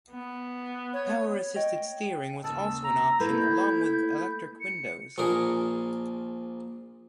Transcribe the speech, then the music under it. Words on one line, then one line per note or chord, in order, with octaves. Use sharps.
Power assisted steering was also an option along with electric windows.
B3
C#5
C#5 D#5 G5
D#2 C#3 A5 E6
A#5
A3 A#3 E4 B4 G6
C#7
A#1 A#2 G#4 A#4